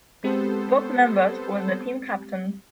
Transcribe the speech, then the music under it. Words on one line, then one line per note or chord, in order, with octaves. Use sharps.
Bob Numbers was the team captain.
G#3 B3 C4 G4 A4 C5